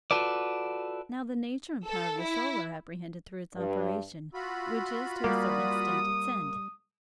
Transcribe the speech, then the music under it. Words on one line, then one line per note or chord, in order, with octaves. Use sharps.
Now the nature and power of the soul are apprehended through its operation, which is to a certain extent its end.
F4 F#4 A4 B4 D5
A4
E4
G2
F4 F#4 B5 E6
G3 A#3 D#6